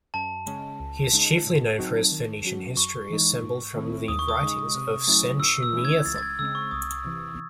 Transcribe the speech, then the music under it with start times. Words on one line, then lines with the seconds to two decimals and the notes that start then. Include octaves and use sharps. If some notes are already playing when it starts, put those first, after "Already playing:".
He is chiefly known for his Phoenician history assembled from the writings of "Sanchuniathon".
0.14 F#2 A5
0.46 C#3 G#3 C#4
0.80 C#2
1.12 C#3 G#3 D#4
1.46 A2
1.78 F#3 C4 D#4 F#4
2.12 D#3
2.44 F#3 C#4 F#4
2.77 F#2 C#6
3.10 E3 G#3 D#4
3.43 G#2
3.76 D#3 A3 C4 E4
4.08 D#2 D#6
4.19 C#6
4.28 D#6
4.42 C#3 G#3 D#4
4.74 C3
5.07 F#3 A3 C#4 E4
5.40 A2 E6
5.63 E6
5.73 E3 A3 C#4 E4
5.85 G#6
6.06 C#2 A6
6.16 A6
6.23 G#6
6.39 C#3 G#3 C4 E6
6.55 C#6
6.71 C2 D#6
7.04 C3 E3